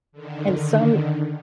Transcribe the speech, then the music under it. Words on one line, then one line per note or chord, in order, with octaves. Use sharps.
And some
D3 D#3